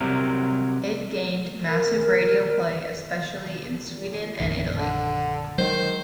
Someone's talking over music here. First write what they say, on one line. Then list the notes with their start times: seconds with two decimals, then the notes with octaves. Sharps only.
It gained massive radio play especially in Sweden and Italy.
0.01 C3 F#3 G3 C4 A#4
1.68 A#4
4.40 A#1 F#2 D#3
4.77 D3
5.58 D#3 F#3 G#3 C5